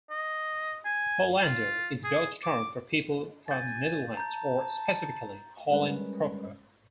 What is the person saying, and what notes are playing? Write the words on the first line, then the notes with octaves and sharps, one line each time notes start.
"Hollander" is a Dutch term for people from the Netherlands, or specifically Holland proper.
D#5
G#5
F4
G#4
D6
G#5 G6 A6
A5 A#5 G6
G3 G#3 C#4 A#4 B4